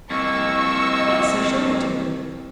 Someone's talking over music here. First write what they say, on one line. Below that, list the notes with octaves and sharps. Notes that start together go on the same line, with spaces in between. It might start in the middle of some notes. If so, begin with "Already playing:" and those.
"Yes; I showed it to him."
C2 F2 A#3 D#5 C#6 E6